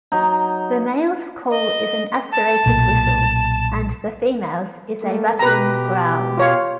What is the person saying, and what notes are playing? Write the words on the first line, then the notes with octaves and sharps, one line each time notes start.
The male's call is an aspirated whistle, and the female's is a rattling growl.
F#3 D#4
D#5
A5
B1 A#2
A3 A#3
B2 G4 B4 A#5
F4 C#5 F5